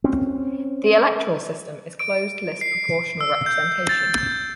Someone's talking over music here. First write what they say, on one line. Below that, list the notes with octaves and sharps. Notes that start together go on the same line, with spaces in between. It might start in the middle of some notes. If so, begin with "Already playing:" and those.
The electoral system is closed list proportional representation.
C4 C#4
D7
C7
E6
G6
A6
G6